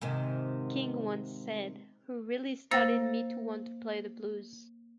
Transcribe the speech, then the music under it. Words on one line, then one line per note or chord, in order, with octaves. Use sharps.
King once said, who really started me to want to play the blues.
G#2 C3 D#3
A#3 C5 F5 E6 A6 A#6